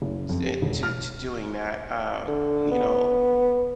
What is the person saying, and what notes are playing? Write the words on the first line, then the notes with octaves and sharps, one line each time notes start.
te to to doing that, uh, you know,
F#1
F2
G4
E1
F6
D3
B3